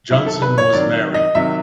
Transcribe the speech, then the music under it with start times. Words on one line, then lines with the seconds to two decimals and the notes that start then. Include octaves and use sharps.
Johnson was married.
0.11 C3 D#3 F#3 E4
0.26 A4
0.42 B4
0.58 C#5
0.73 C3 D#3 F#3 D5
1.14 D#5
1.35 C3 D#3 F#3 E5